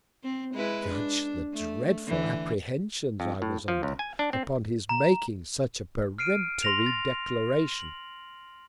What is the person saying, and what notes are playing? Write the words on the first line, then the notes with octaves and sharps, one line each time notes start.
Judge the dreadful Apprehensions I was under, upon his making such a peremptory Declaration.
C4
G#3 E4 B4
D4
A3
D3 E3
F2
A2
F3
C#2
G#5
D4
C4
A#5
F6 C7 D7 D#7
C6 A#6 F7
A6
F#7